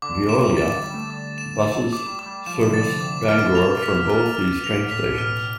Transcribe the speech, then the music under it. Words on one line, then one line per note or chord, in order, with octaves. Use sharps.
Veolia buses service Bangor from both these train stations.
D3 D6
E7
G3
A6
G3 D6
A3
G3
D6
E7
A3 A6
D6
G3
D6
G3
F3 E7
C3
D3 A6
C3 D6
B2 F6
F7
B6
F6
F6
F7
A2 B6
B2
A2 F6